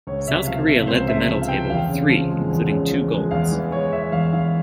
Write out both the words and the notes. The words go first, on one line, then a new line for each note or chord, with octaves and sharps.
South Korea led the medal table with three, including two golds.
C#2 C#5
C3 E5
F3 F5
C4 E5
C#2 C5
C3 E5
F3
F5
C4 G5
E2 F5
C#3
F3
G#3
E2
C#3
F3
G#3
E2 F5
E3
G#3 C#5
E2 E5
E2 F5
E3 F5